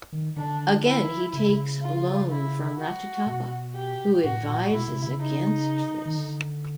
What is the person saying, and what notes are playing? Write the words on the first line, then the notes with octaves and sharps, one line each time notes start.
Again he takes loan from Rachutappa who advises against this.
D#3
D3 D4
E4
C#3
F4
E4
F#4
B2
G4
A2 F#4
A#2
B2 E4
C3
C#3
D#4
D#3
D3